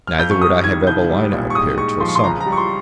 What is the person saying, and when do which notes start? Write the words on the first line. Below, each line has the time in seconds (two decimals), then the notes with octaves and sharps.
Neither would I have Evelina appear till summoned.
0.07 F6
0.19 F2 G6
0.31 C#6
0.42 G3 D#6
0.64 D#3 G#6
0.87 C2 G6
1.10 G3
1.33 A#2
1.50 C#6
1.55 G#2 D#6
1.78 G#2 C#6
2.00 F3 C6
2.08 C#6
2.15 C6
2.23 C#2 A#5
2.40 A#5
2.46 G3
2.52 C#6
2.57 C6